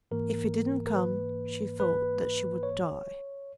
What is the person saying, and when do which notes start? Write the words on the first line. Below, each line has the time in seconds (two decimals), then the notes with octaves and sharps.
If he didn't come she thought that she would die.
0.11 G#2 E3 A#3 A#4
0.87 A#4
0.96 B4
1.80 B4
2.63 C#5